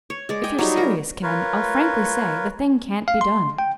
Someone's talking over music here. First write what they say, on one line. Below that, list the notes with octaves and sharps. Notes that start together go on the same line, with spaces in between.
If you're serious, Ken, I'll frankly say the thing can't be done.
C#5
G#3 D5
G#4 G5 G#5
F#3 G3 D#4 F4
A#4
F4 A#4 B4 C#5
F5
C6
G5